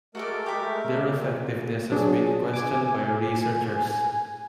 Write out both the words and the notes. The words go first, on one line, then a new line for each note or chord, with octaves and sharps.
Their effectiveness has been questioned by researchers.
G#3 A3 F#4 A4 A#4 D5
G4 E5
A#2
F#3 D4 G#4
G#5 D6